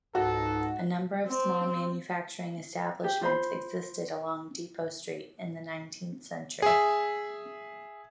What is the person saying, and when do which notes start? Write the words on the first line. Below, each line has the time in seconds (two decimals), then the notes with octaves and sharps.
A number of small manufacturing establishments existed along Depot Street in the nineteenth century.
0.15 C#2 G#2 D#4 F#4 A4
1.27 C4
3.04 G4
3.21 F4 C5 B5
6.62 G#4 E5